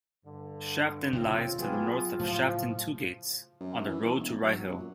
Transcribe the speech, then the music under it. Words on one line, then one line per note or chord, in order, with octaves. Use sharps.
Shafton lies to the north of Shafton Two Gates, on the road to Ryhill.
G2 D3
G#1 A2 C3 D#3 F3 C4 F4
F#3 B3 G4 G#4
A2 C#3 F3 F#3
F#2
E3
E1
F#3
F#2
A#2